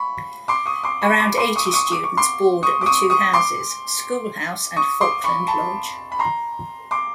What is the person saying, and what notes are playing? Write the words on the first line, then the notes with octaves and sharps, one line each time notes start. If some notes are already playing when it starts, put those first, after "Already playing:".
Around eighty students board at the two houses; School House and Falkland Lodge.
Already playing: B5 C#6
C6 D6
C#6 D#6
C6 D6
B5 C#6
C6 D6
C6 D6
C#6 D#6
D6
C#6 D#6
D6
C#6
C6 D6
C#6 D#6
D6
C#6 D#6
C#6 D#6
C6 D6
C#6 D#6
C6 D6
B5 C#6
A5 B5
B5
A#5 C6
C6 D6